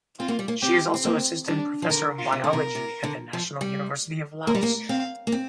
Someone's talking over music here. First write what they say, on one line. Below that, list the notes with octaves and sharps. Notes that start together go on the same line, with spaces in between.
She is also Assistant Professor of Biology at the National University of Laos.
C4 F4
A#3
G3
A#3
C4 G4
C4
A#3 C4
G3 D4
F3
D3 A#4
F4
C3
D3 A#4
C3
C3
D3
F3
G3
A#3 A#4
G3
A#3
C4 F5
A#3
C4